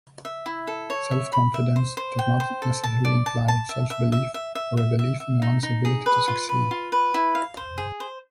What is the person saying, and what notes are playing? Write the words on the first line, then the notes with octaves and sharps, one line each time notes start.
Self-confidence does not necessarily imply "self-belief" or a belief in one's ability to succeed.
E5
E4
A4
C#5
E5
B5
E5
C5
C5
G5
C5
A4
A5
D5
A5
A5
E5
E5
E5
E5
E5
E5
E5
E5
D#4
D#4
G#4
B4
F4
B4
F4
B4
E4
F5
C5
G#4
C5